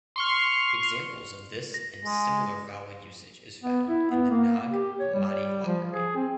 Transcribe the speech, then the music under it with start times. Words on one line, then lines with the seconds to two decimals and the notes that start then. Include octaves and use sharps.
Examples of this and similar vowel usage is found in the Nag Hamadi Library.
0.16 C6 C#6 F6
1.74 A#6
2.05 G#3
3.64 B3
3.89 E4
4.11 B3
4.30 A#3
4.72 G4
5.00 C#5
5.14 G3
5.66 F3
5.91 G#4
6.16 C4